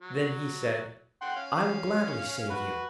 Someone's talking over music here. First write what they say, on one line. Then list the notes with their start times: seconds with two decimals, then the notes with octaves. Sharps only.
Then he said, 'I will gladly save you!'
0.01 F#3
1.21 F#5 G5 C6
1.36 C#4 F5
2.50 F#4 B4